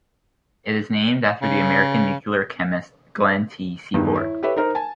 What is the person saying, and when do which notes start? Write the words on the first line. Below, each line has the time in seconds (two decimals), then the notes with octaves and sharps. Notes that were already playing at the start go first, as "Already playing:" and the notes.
It is named after the American nuclear chemist Glenn T. Seaborg.
1.42 C#3
3.94 E2 G2 D#3
4.15 E4 C#5
4.43 G4 A4 B4 C#5 E5
4.56 D#4 A#4 C5
4.75 G#5 A5